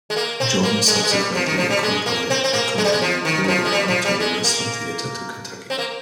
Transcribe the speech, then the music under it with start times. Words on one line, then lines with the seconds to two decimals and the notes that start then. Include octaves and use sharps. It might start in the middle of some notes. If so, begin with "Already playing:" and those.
Jordan subsequently accompanied Beauregard to the Western Theater to Kentucky.
0.10 G#3
0.16 A#3
0.40 C4
0.63 A#3
0.87 G#3
1.03 G#3
1.11 G3
1.35 F3
1.46 D#3
1.58 F3
1.70 G3
1.83 G#3
2.06 A#3
2.30 C4
2.44 C4
2.53 A#3
2.78 G#3
2.84 G3
2.92 G#3
3.02 F3
3.25 D#3
3.44 D#3
3.48 F3
3.65 G#3
3.72 G3
3.88 F3
4.05 G3
4.20 G#3
4.44 A#3
5.70 C4
5.78 A#3